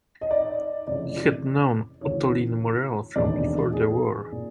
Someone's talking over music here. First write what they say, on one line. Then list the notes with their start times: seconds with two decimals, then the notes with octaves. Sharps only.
He had known Ottoline Morrell from before the war.
0.21 D#5
0.31 D5
0.87 F1 F2 C#3 E3 D5
2.01 D2 C#3 E3 C#5
3.16 E1 D#2 D3 D5
3.73 G#4
4.32 A#2